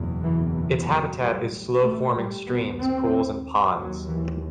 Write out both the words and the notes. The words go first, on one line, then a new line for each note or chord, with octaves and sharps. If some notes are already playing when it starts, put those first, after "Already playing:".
Its habitat is slow flowing streams, pools and ponds.
Already playing: F#1 E2 B2
E3
E3
F#3
A1 A2 G3
A3
G3
D#2 B3
C4
D#2 F#3
E3